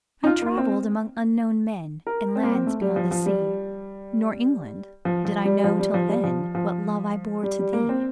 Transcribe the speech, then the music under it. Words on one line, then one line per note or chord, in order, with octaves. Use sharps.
I travell'd among unknown men In lands beyond the sea; Nor, England! did I know till then What love I bore to thee.
D#4
F4
A#3
C4
A#4
C4
A#3
C4
A3
G3
F3
F3
G3
F3
F3
G3
F3
G3
F3
G3
F3
F3
G3
G3
A#3
C4